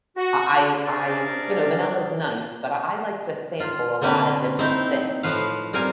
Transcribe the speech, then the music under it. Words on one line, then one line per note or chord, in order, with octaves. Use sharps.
I I I you know, vanilla is nice, but I I like to sample a lotta different things,
F#4
C3 C#4 D4 G#4 A#4 D5
F4
D3 A#3 C4 C#4 B4
C4 D#4 E4
A2 F3 B4 F5
G3 C4 A#4 F5 G#5